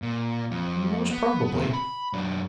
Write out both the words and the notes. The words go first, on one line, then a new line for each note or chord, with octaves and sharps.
"Most probably."
A#2
F2
B3
C#3 C4
B5
F#2 D4